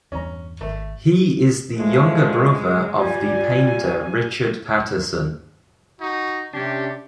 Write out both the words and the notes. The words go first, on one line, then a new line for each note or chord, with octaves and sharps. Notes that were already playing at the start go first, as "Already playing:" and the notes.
He is the younger brother of the painter Richard Patterson.
E2 G2 C#4 A#5
G#1 A3
E3 F3 G#3 A3
G3 F4 D5 G#5
D#4 F#4
C3 C#4 D4 G4